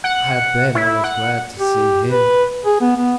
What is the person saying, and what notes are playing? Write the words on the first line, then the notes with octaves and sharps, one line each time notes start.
I bet I was glad to see him.
F#5
E4
F#5
G4
B4
G#4
B3
B3